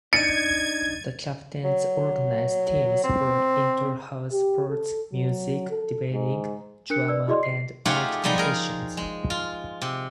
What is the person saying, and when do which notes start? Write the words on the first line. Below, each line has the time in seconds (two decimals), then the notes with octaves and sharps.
The captains organise teams for inter-house sports, music, debating, drama and art competitions.
0.13 D4 D#4 G#6 A6 C#7 D#7
1.64 F#3
3.04 C4
4.32 G4
4.69 A4
5.13 F#3
5.71 A4
6.12 G#2
6.90 D4 A#4 F#6 C#7
7.08 B4 D5 E6
7.28 E4 F#4 G#4 D5 D#5 C6
7.43 C7
7.85 A3 D#4 F4 G4 G#4 F#5
8.24 F3 G3 G#3 B3 D#4
8.38 G#4 A#4
8.97 G#3
9.30 F4
9.82 C3